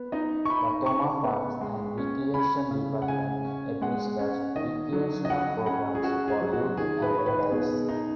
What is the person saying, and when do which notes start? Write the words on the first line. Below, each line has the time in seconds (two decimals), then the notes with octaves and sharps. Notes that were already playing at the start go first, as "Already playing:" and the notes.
The Tomah Parks and Recreation Department administers recreational programs for youth and adults.
Already playing: B3
0.12 D#4 D#5
0.45 C#6
0.49 D#4 B5
0.86 C#3 C#6
1.24 B3
1.61 G#3
1.98 C#4
2.34 C#4 B5
2.71 C#3
3.02 F#5
3.08 C#3 G#5
3.45 C#4
3.81 G#3 F#5
4.19 C#4
4.56 D#3 D#5
4.93 F#3
5.25 D#5
5.30 F#3 F#5
5.66 C#4 F#5
5.95 G#4
6.03 C#4 F#4
6.28 G#4
6.41 F#3
6.53 F#4
6.77 D#3 G#4
7.02 B4
7.15 D#3 C#5
7.26 B4
7.51 B2 G#4
7.89 D#4